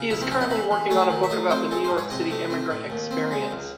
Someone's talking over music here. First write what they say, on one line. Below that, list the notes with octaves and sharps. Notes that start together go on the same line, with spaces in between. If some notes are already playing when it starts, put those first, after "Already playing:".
He is currently working on a book about the New York City immigrant experience.
Already playing: C#3
C#2 E4
C4
C3 C#4
D#4
E3 E4
E3
A3 C#5
D#3
E5
A3 D#5
C4 C5
G#3 A4
C5
G#2
C#5
C3 D#5
A3
C4
A2
D#2
C4
G#3
C#2